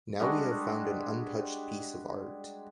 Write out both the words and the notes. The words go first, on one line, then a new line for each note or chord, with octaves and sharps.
Now we have found an untouched piece of art.
G3 G#3 D4 F#4